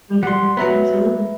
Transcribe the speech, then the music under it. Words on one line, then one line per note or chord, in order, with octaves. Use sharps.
Mhm, absolutely.
G3 F#5 C6
F#3 B3 B4 E5 A#5